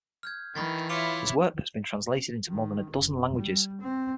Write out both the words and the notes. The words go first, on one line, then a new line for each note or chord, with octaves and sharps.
His work has been translated into more than a dozen languages.
F6 G6 G#6
D#3 E3 B5 C#6 A6
E4 F4 C#5 D6 C#7 F7
D#3
F#1
G3
C4